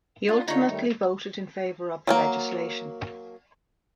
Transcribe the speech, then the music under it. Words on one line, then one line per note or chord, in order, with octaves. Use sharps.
He ultimately voted in favor of the legislation.
A#3 D4 F4
D3 D4 D#4 F4 C#5
D#3 G3 A3
F#3 G3 A#3